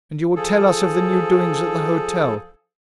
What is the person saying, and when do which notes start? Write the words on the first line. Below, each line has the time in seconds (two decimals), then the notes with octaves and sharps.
And you will tell us of the new doings at the hotel.
0.36 F3 G#4 A4